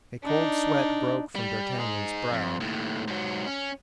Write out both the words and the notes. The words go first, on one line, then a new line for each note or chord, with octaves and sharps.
A cold sweat broke from d'Artagnan's brow.
D4 D#4
G3
D#4 G#4
F2
D#2 A2
G#2 F#3
C#4